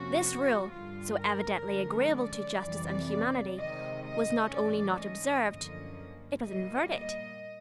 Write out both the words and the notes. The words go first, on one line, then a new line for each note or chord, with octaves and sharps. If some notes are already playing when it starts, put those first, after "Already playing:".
This rule, so evidently agreeable to justice and humanity, was not only not observed: it was inverted.
Already playing: F2 C3 F3 A#3 C#4 F#4
G2 D3 G3 F4
A#4
D3 F3 G#3 C#4
D5
F2 C3 E3 G3
C3 D#3 G#3 D#5
D#5
G#2 E3 A3 C#4 D5
D#5
F#2 D3 F3 A#3 C#4 D#5
A#2 G3 A#3 D#5
D#5